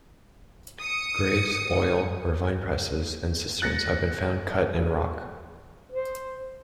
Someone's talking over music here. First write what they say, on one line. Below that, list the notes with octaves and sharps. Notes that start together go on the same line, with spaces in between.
Graves, oil or vine -presses, and cisterns have been found cut in rock.
D#6 C#7
F#6 A6 A#6 C#7
C5